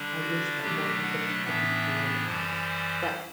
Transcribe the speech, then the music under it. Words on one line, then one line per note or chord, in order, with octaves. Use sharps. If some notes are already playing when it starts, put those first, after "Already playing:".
I wish that more empathy could be created in that regard. But
Already playing: D3 G3 D4
F#4
B2 F#3 A3 D4 G4
F#5
A2 E3 B3 D4 E5
F#2 E3 G3 C5